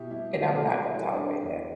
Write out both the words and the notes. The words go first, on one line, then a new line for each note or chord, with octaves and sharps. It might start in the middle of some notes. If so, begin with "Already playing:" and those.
and I'm not gonna tolerate that.
Already playing: B2 E4 G4
G3 E4
G4
B2 A4
E4
G3
D4
E2 E4